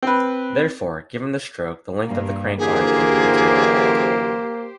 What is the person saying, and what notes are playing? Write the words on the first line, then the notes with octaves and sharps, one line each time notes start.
Therefore, given the stroke, the length of the crank arm can be determined.
C4 B4
G2 A#3
F#2 D3 E3 A#3 G4 G#4 C5